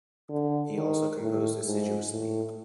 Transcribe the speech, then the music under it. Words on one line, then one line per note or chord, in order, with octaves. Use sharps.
He also composed assiduously.
D3
D#3
A2
G#2
A2